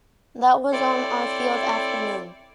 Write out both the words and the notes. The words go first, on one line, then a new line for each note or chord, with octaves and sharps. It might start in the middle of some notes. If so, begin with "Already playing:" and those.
That was on our field afternoon.
C4 E4 A4 C#5 D5